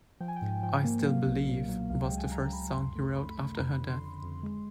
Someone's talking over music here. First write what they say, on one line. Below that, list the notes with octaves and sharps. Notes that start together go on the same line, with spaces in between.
"I Still Believe" was the first song he wrote after her death.
F3 G5
G#5
G5
G#2
F3 G5
A#3
F#3 F5
B1
A#2
F#3
C#2 F5
G5
G#3
G#5
G#3 A#5
C#2 B5
F#2 C6
A3
A3 B5
B5
C#3
B5
A#5
F2 B5
B5
D3
C6
F2
F2
G#3